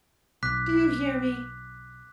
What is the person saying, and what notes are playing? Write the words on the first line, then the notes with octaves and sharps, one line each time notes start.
Do you hear me?
B1 D6 F#6 B6